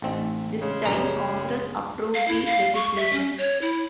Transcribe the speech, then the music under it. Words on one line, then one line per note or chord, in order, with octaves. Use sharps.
This time Congress approved the legislation.
A1 A3 C4 D4 D#4
C#3 G#3
A#1 F#2 G4 G#4 B4 C#5 D5 A#5
F5
E4
F5
C#6
E5
C#4
C#5
E4